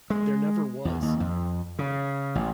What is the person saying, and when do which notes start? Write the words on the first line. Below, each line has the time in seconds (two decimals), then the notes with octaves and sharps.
There never was...
0.10 G#3
0.85 E2
1.02 D#2
1.20 F2
1.79 C#3
2.35 A1